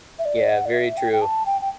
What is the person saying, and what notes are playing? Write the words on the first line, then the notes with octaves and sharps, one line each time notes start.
Yeah, very true.
E5
D5
F#5
D5
E5
G5
G5
A5
G5
G5